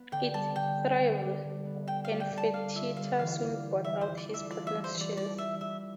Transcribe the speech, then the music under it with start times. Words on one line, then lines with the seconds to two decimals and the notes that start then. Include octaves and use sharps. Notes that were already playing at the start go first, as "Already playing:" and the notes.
It thrived, and Fertitta soon bought out his partners' shares.
Already playing: B3
0.12 D3 G5
0.34 G3 A5
0.56 D3 G5
0.78 B3
1.00 D3
1.22 G3
1.44 D3
1.65 B3
1.88 D3 G5
2.04 G3 F5
2.20 G5
2.31 D3
2.37 A5
2.53 D4 F5
2.75 F4 E5
2.97 G3 F5
3.19 E3 F5
3.41 D4
3.63 F4
3.84 G3 E5
4.01 C5
4.07 E3
4.18 D5
4.29 D4 E5
4.50 F4 D5
4.67 E5
4.73 G3
4.84 C5
4.95 E3
5.01 D5
5.17 G3 D5
5.38 D4 E5
5.61 E3 E5